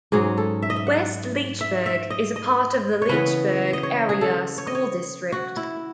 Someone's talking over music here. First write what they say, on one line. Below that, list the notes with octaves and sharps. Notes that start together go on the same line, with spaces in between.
West Leechburg is a part of the Leechburg Area School District.
G#2 F#3 C#4 G#4
A4
E5
D#5
E5
F#5
E5
E5
D#5
D#5
C#5
C#3 E3 B3 B4
D#5
C#5
G#4
A4
C#5
D#5
C#5
F#4
E4